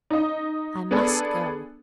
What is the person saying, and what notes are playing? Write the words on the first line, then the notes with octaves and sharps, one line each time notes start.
I must go.
D#4 D#5
B3 D4 G#4 A4